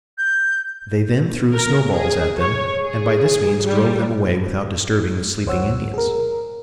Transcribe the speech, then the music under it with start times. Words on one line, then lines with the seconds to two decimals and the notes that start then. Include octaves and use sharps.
They then threw snow-balls at them and by this means drove them away without disturbing the sleeping Indians.
0.18 G6
1.54 A#4
1.93 G#4
2.38 C#5
2.82 G#4
3.63 G3
5.46 D2 C5 C#5 F#5 E6
5.94 G#4 A#4